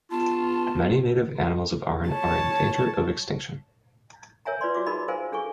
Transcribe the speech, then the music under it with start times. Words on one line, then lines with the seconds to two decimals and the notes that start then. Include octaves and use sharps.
Many native animals of Aran are in danger of extinction.
0.11 B3 F4 A5
2.08 C#5 A5
4.45 A#4 C#5 E5 G#5 A#5
4.61 F4 B4 D5 C6
4.75 F4 F#4 E5 D6
4.86 D#4 G#4 A#4 D#5 B5
5.08 A#4 C5 F5 G#5
5.32 D4 G#4 A4 G#5 C#6